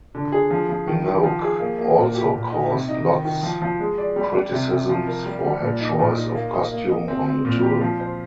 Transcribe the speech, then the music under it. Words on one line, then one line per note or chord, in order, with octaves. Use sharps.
Minogue also caused lots criticisms for her choice of costume on the tour.
D3
G#4
F3
F3
D#3
D#3
F3
G#4
A#3
A#3
A#2
G4
A#2
D#4
C3
D#4
D#3
D#3
F3
F3
G#3
D5
G3
G3
C3
C3
F3
A#4
G3
G3
A#2
D#4
A#2
D#4
A#3
D#5
A#3
D#5
C4
C4
A#2
G4
F3
C5